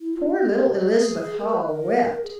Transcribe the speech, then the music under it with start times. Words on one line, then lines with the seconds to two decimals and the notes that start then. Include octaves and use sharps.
Poor little Elizabeth Hull wept.
0.01 E4
0.14 F4
0.27 F#4
0.41 G4
0.82 G#4
1.39 A#4
1.52 B4
1.67 A#4
2.23 G#4